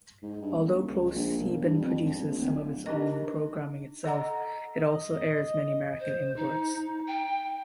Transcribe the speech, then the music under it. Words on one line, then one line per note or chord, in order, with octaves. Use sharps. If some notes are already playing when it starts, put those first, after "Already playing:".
Although ProSieben produces some of its programming itself, it also airs many American imports.
G#2
G2
D#1
C#2
A#1
E1
G2
F2
G#1
A#1
D1
D4 D#4 G4 A#4 D#5
A4 D#5 F#5 A#5
D#5
C5
D#4
G5